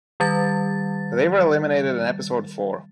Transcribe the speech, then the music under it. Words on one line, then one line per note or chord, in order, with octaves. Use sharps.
They were eliminated in episode four.
D#3 G3 A6